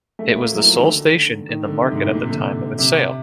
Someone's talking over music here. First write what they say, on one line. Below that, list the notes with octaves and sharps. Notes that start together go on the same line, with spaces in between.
It was the sole station in the market at the time of its sale.
A3
A3
A#3
F#3
E3
F3
D#3
D3
D#3
D3
C3
G#2
A2
A#2
C3
D3
C3
C3